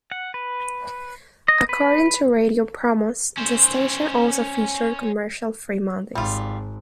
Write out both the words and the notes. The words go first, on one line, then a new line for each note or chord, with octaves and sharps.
According to radio promos, the station also featured Commercial-Free Mondays.
F#5
B4
D#5
B4
C#4 C5
G#1 G3 F4